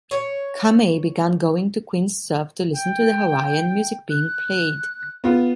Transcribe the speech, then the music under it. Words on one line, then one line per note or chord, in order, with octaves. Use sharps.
Kamae began going to Queen's Surf to listen to the Hawaiian music being played.
C#5
G5
F#6
B3 F4